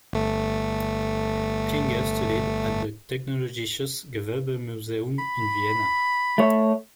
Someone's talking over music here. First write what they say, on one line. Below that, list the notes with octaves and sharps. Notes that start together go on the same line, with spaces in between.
Klinger studied at the Technologisches Gewerbemuseum in Vienna.
G1 A3
B5
A3 C#5